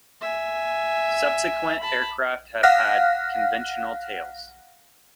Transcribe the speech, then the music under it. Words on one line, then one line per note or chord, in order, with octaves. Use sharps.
Subsequent aircraft have had conventional tails.
E5 G#5
A5 B5
F5 F#5 F6 F#6 A#6